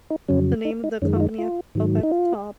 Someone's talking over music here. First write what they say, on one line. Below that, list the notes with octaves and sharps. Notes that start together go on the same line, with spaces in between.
the name of the company up up at the top
D#4
F2 C#3 F#3 C#4
D#4
D#4
F#2 D#3 G#3 C#4
F4
D#4
F4
G#2 D#3 F#3
D#4
F4